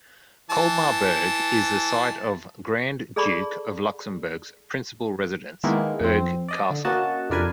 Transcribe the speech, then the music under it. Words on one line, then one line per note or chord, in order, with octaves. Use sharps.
Colmar-Berg is the site of the Grand Duke of Luxembourg's principal residence, Berg Castle.
E3 A5
G#4 A4 D5 A5 B5 C#6
D#3 G#3 A#3 B3 D#4 E4
F2 C4
D5 D#5
D3
A#3 C#4 F#4 D#5 F#5 A5
F2 C3 D4 A#4 B4 G#5